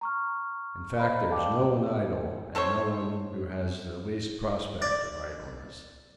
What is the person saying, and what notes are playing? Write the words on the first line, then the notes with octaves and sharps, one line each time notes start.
In fact there is no one idle, and no one who has the least prospect of idleness.
A#5 C#6 F6
B4 C5 D#5 F5 A#5 B5
A4 D5 F5 G5 A5 D6
C4 A4 C5 C#5
D5